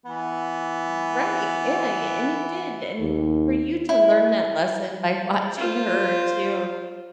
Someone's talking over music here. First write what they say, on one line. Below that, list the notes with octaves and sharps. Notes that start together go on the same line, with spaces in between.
R right. Yeah, y and you did, and for you to learn that lesson by watching her too,
E3 B3
D#2
E4
F4 C5